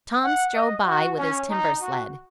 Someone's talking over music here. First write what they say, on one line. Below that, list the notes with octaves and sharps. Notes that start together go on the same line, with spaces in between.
Tom strode by with his timber sled.
F#5
D#5
F#4
C#4
D#4
F#4